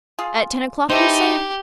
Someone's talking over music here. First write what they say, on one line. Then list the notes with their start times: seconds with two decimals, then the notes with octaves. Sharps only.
"At ten o'clock, you say?"
0.19 F4 G#4
0.90 E3 A3 D#4 G4 C5